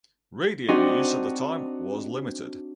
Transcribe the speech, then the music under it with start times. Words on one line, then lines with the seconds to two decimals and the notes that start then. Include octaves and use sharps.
Radio use at the time was limited.
0.69 C4 D4 D#4 F#4